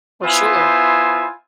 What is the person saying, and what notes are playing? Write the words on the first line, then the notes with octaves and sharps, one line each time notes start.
For sure.
B3 E4 F4 C5 G#5